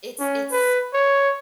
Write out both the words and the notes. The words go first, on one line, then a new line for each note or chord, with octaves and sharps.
it's it's
C#4
B4
C#5